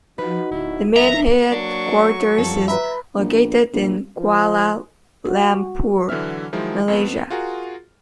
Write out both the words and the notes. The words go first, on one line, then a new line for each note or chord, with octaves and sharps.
The main headquarters is located in Kuala Lumpur, Malaysia.
F3 D#4 F#4 B4
D1 E4
G2 D#3 F3 E5 A#5
F#3 A#3 D4 C#6
F#2 F3 G3 A4
B4 E5 A#5 B5
A#1
A#1
F3
F#4
D3 E3 F#3 E5 F6
D#3 F3 F#3 G#3 E4
F2 B3
F4 F#4 G#4 A#4